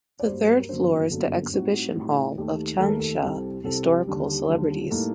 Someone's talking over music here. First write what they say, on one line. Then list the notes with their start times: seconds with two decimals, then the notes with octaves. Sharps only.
The third floor is the exhibition hall of Changsha historical celebrities.
0.19 D5
0.27 G2 F#3 A#3 C5
0.60 A#4
0.69 G1 F#2 F#3 A#3 D4 C5
1.11 G1 F#2 F#3 A#3 D4 A4
1.53 A2 G3 C4 D#4 F#4
1.95 A2 G3 C4 D#4
2.37 D#2 D#3 A3 G4
2.80 D#2 D#3 A3 A4
2.89 A#4
2.99 A4
3.22 C2 C3 G3 C4
3.64 C2 C3 G3 C4 A4
3.85 G4
4.07 D#2 D3 G3
4.48 D#2 D3 G3
4.90 A2 G3 A#3 D#4 A4